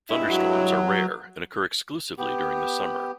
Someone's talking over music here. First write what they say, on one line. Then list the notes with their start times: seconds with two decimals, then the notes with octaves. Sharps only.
Thunderstorms are rare and occur exclusively during the summer.
0.10 G2 G#3 E4
0.28 F#3
2.18 B3 G4